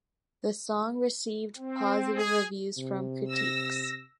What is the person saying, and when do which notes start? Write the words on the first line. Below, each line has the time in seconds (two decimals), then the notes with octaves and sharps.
The song received positive reviews from critics.
1.57 C4
2.16 G#4
2.78 C3
3.30 E6 A#6